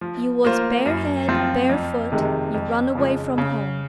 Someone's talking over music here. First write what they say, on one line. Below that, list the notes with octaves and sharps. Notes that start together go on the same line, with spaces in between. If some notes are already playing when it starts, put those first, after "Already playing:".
You was barehead, barefoot; you run away from home.
F3
A#3 F4 C5
F#2
F3 C4 F4
F2
C3 D#3 G#3
F2
C#3 F3 G#3
C#3